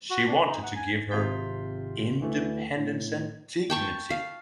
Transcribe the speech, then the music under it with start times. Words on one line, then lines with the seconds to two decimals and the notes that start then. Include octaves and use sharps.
She wanted to give her "independence and dignity".
0.10 F#4
0.28 D4
0.47 D#4
0.63 F#5
0.76 G#5
1.11 G#1 C3 F4 C6 G6 B6
2.20 D2 E3 A3
2.77 A2
3.70 G5 A5 C#6
4.10 F5